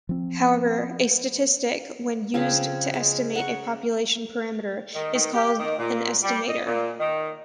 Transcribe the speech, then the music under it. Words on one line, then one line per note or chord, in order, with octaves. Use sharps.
However, a statistic, when used to estimate a population parameter, is called an estimator.
F3 C4
C#3 F3 C4 F5
G#3
F#5 A#5 C#6
D#3
D#3
G4
D#3
A#2
G3
D#5
A#2
D#3